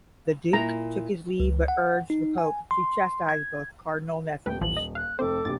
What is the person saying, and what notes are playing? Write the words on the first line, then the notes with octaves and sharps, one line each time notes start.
The Duke took his leave but urged the Pope to chastise both Cardinal-nephews.
A#2 E4 A#5
C#2
F#5
D#4
G#5
C6
G#6
D#1 A3 B4 G5
A1 E3 F3 F#7
D#5
F5 F#6
F1 C4 A4 C5 D6
A#1 C3 A6